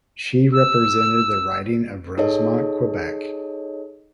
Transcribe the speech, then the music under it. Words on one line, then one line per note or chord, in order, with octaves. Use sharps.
She represented the riding of Rosemont, Quebec.
E6
D#4 G#4 A4 C#5 D#5